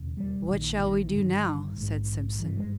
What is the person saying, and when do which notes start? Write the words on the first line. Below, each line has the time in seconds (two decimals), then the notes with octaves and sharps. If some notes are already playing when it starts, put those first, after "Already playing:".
"What shall we do now?" said Simpson.
Already playing: E1 D#2 C#3
0.17 G3
0.49 A#1 A#2 D#3
0.80 D#3
1.12 G1 G2 D#3
1.75 A#1 G#2
2.39 G#1 G2 E3
2.56 G#3